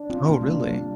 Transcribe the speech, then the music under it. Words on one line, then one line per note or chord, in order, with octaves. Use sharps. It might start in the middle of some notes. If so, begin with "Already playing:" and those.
Oh, really?
Already playing: D4
C4 F4
C3 A#3
G#3
A#3 D4
G3 A#3